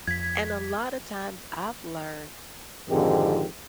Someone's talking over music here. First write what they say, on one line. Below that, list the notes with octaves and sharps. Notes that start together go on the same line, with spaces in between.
and a lotta times I've learned
F2 G#6 B6
G#1 F2 G#2 D3 D#3 G4